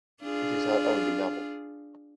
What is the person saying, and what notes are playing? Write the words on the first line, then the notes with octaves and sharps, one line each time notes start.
It is her only novel.
D4 F4 G#4